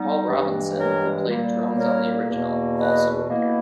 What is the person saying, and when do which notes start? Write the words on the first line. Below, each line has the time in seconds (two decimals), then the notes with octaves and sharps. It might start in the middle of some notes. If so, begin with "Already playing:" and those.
Paul Robinson, who played drums on the original, also appeared.
Already playing: G3 B3 D#4
0.28 G2 E3 G#3
0.78 A#4 C#5
1.28 A#2 G3 A#3
1.78 A#4 C#5
2.28 E2 B2 A#3
2.79 B4 D#5
3.29 B2 A#3 E4